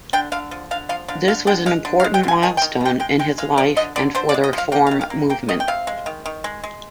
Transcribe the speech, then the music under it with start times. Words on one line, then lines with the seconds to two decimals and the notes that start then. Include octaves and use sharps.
This was an important milestone in his life and for the reform movement.
0.13 D3 G5
0.32 D3 F5
0.51 F3
0.71 D3 F5
0.89 F3 F5
1.08 D3 F5
1.28 D3 F5
1.47 D3 G5
1.66 G#3 F5
1.85 D3
2.00 F5
2.04 G#3
2.14 G5
2.23 D3 G#5
2.43 D#3 G#5
2.57 G5
2.62 D#3
2.81 D#3 G5
3.00 G#3 G5
3.19 G#3 G5
3.38 G#3 F5
3.58 F3 D5
3.76 D3 D#5
3.96 D3 D5
4.15 D3 C5
4.29 D5
4.34 G#3
4.44 D#5
4.53 F3 F5
4.72 A#3 G5
4.87 F5
4.91 D#3
5.01 F5
5.10 A#3
5.30 A#3 G5
5.49 D#3 D#5
5.60 G5
5.68 C3 F5
5.87 G#3
6.06 D#3
6.26 D#3
6.44 G#3
6.64 G#3